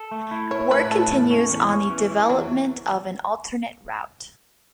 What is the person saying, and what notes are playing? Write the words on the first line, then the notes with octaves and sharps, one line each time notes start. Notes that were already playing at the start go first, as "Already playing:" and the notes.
Work continues on the development of an alternate route.
Already playing: A4
A3
E4
A2 C#5
A3 B4
A2 A4
E2
C#4
E2
C#4
E3
E3
E2 F#3